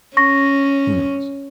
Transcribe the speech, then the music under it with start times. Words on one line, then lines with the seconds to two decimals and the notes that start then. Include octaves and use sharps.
Who knows?
0.17 C#4 C#6 A#6